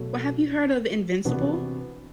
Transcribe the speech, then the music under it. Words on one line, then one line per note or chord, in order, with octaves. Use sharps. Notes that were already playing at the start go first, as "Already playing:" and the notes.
Well, have you heard of Invincible?
Already playing: B2 F#3 A3
C3 E3 B3 D4 F#4